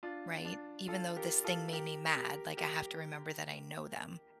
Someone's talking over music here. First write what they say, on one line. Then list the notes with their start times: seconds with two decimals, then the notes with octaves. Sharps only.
right? Even though this thing made me mad, like, I have to remember that I know them.“
0.03 D4 F4
0.45 D4 F4
0.88 F4 A4
1.16 G4 A#4
1.44 F4 A4
1.73 G4 A#4
2.16 G4 A#4
2.57 G4 A#4